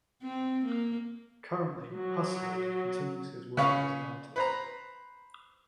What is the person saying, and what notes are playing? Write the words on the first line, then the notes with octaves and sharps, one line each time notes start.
Currently, Pushead continues his work as an artist.
C4
A#3
F#3
C#3 C#4 B4 C#5 F5 C#6
B4 C5 A#5